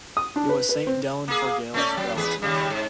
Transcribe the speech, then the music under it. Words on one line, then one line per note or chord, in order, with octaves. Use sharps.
He was St. Dallan Forgaill’s relative.
D#6
D4
B4
B4
C4
A#3 G#4
A3 C#4 D5
F#3
E2 G#4 B4
D#2 C#3 G3
G#2